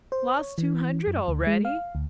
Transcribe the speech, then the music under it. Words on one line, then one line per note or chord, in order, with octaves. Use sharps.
Lost two hundred already?
C5
C#5
E3
F#2
D2
G#3
F5
D2